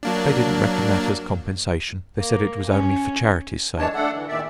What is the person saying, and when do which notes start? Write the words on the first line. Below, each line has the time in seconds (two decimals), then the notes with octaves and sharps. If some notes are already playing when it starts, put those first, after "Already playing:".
They didn't reckon that as compensation; they said it was only for charity's sake.
0.03 F#3 A#3 D4
2.19 A#3
2.68 C#4
3.78 F#2 E3 G#3 D4 C#5 A5
3.95 A3 D4 A4 F#5
4.15 D3 E3
4.28 E2 A#2 D#3 D5 E5